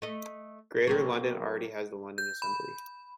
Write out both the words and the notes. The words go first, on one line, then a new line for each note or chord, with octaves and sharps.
Greater London already has the London Assembly.
A3 D#5
F#3 A#3 C4
G6
B5